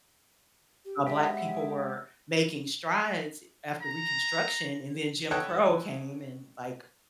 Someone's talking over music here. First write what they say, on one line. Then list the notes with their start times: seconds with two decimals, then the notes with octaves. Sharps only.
uh, black people were making strides, eh, after Reconstruction, and then Jim Crow came and, like,
0.85 G4
1.07 F#3 G#3 B3 D4 G4 E5
3.83 A#5
5.31 A4 B4 C#5 D#5 F#5 G5